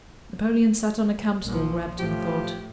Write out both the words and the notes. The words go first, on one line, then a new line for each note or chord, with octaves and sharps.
Napoleon sat on a campstool, wrapped in thought.
A#1 F3
A2 F3 G4